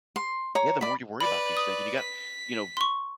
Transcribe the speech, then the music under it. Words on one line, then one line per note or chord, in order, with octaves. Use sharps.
Yeah, the more you worry about these things, and you got, you know,
C6
C#5 A#5
D5 B5
B4 D5 B5
D#6
B6
C6 C#6